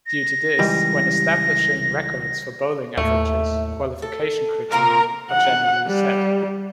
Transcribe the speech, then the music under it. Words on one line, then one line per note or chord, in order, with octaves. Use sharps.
Due to this, when establishing records for bowling averages, qualification criteria are generally set.
A#6
C#2 E3 G3
D#2 A2 A3 E5
A4
C3 A#3 F4 A#4 A#5
F#5
G3